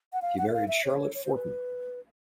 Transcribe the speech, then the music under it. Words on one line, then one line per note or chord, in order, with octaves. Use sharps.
He married Charlotte Forten.
F#5
F5
F#5
E5
F5
E5
C#5
C#5
C5
B4